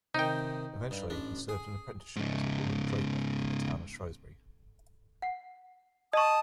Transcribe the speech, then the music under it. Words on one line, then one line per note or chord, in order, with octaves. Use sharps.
Eventually, he served an apprenticeship as a woollen draper in the town of Shrewsbury.
C3 D#3 D#4 G5
G2
A1 D4
G#4
G#2 C#3
F#5 C7
D#5 A5 C#6 D#6